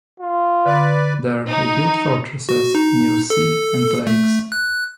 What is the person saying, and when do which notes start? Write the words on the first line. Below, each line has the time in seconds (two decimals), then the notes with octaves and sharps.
There, they built fortresses near sea and lakes.
0.20 F4
0.66 D3 B4 D5
1.49 D#4
2.49 F#4
2.75 D#4
3.30 A4
4.07 A3
4.52 F#6